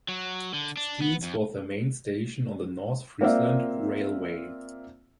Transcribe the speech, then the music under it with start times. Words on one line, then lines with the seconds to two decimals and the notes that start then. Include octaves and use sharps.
Stiens was the main station on the North Friesland Railway.
0.09 F#3
0.54 D3
0.77 D4
1.02 B3
1.23 F2
3.21 A#3 C4 F4 C5 D5 E5